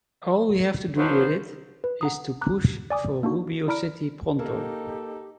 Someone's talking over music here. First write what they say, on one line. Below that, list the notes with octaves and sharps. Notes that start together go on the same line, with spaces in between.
All we have to do with it is to push for Rubio City pronto.
B2 D#3 F3 F#3 C5
B4
F#5 A#5 D#6
A#5 D6 F#6
D5 G#5 D6 D#6
A#3 D4 D#4 F#4
E4 D5 A#5 B5 F6 D7
A#3 D#4 G4 A4